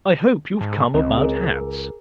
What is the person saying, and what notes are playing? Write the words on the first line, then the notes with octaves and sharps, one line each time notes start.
I hope you've come about hats.
G#2 A5
C#2 C4 D#5
G#4 A#4